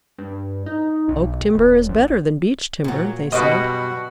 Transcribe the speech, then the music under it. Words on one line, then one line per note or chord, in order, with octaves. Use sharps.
"Oak timber is better than Beech timber," they said.
G2
D#4
B1
D#1
A1
A#2 F#3
F#2 B2 G3 F#4 B4 D#5